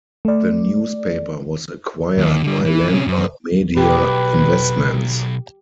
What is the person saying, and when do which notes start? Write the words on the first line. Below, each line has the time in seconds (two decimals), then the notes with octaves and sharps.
The newspaper was acquired by Landmark Media Investments.
0.25 A3 D5
2.18 D#2
2.42 D3 G3
2.65 E3
2.88 C3 C#4
3.07 F#2
3.77 B1 G4 B4